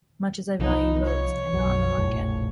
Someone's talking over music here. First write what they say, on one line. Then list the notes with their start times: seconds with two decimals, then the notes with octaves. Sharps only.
Much as I value votes I am not in the market.
0.59 C2 F3 B3 D#4
1.05 C#5
1.52 B1 F#2 F#3
1.97 F1 A#1 A2